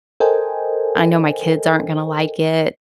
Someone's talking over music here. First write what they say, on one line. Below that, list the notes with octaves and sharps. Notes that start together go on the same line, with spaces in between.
I know my kids aren't gonna like it.
A4 A#4 C5 D#5 G5 G#5